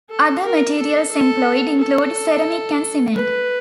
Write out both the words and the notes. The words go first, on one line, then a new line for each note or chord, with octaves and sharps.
Other materials employed include ceramic and cement.
A4
A#4
A4
A4
A4
B4